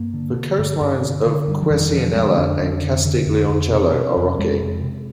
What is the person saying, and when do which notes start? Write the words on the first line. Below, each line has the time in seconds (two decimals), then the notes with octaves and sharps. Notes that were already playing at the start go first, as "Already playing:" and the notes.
The coastlines of Quercianella and Castiglioncello are rocky.
Already playing: G2 A#3
0.14 D3
0.36 D3
0.59 G2
0.81 G2
1.04 D3
1.26 D3
1.48 G2
1.62 F3
1.70 F2 D#3
1.93 D3 F3
2.15 D3 G#3
2.37 F2 D4
2.60 F2
2.83 D3
3.05 D3
3.26 F2
3.49 F2
3.72 C3
3.94 C3
4.17 F2
4.39 F2 G#3
4.61 C3
4.83 C3